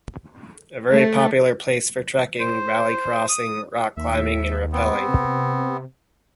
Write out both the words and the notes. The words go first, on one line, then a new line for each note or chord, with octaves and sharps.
A very popular place for trekking, valley crossing, rock climbing and rappelling.
A3
C5
D#6
D#2 E5
B3 C4
C3